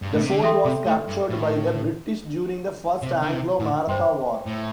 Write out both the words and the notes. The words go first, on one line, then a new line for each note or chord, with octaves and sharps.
The fort was captured by the British during the First Anglo-Maratha War.
G2
A2
C3
D3
E3 A4 E5 G5 C6
C3
A2
G2
A2
C3
D3
C3
A2
G2 C5 G5 C6
A2